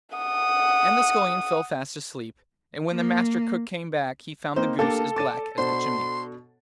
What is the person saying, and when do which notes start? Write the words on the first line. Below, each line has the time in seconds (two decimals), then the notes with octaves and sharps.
And the Scullion fell fast asleep, and when the Master Cook came back he found the goose as black as the chimney.
0.16 F#5 D#6
2.91 A#3
4.56 A#3 C4 D#4 C5
4.79 A#3 D4 G4 A4 F5 D6 A6
5.16 D5 A5 D6 A6 D#7
5.58 B2 D4 C5 C6